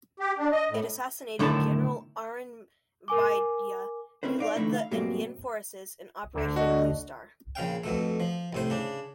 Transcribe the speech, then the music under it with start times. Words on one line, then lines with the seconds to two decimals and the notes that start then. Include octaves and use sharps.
It assassinated General Arun Vaidya, who led the Indian forces in Operation Blue Star.
0.20 G4
0.38 D4
0.52 D#5
0.70 A2
1.39 B1 A2 D3 D#3 E4 A5
3.08 A#4 G#5 D6
4.23 C4 C#4 E4 B4 C5
4.39 D#4 D5 F5
4.56 D3 E3 A3 C4 D#4 E4
4.74 F5
4.91 G#2 B2 F#3 G3 A#3 C4
6.34 D2 D3
6.56 F#4 D#5
7.55 A#1 C#3 F5 G5
7.84 F2 B2 A3
8.20 F3
8.53 C2 A2 C5
8.70 C#3 D4